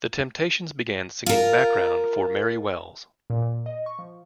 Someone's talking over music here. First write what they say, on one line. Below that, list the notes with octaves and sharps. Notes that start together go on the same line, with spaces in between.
The Temptations began singing background for Mary Wells.
F4 A#4
A#2
A#2
D#5
C#6
F3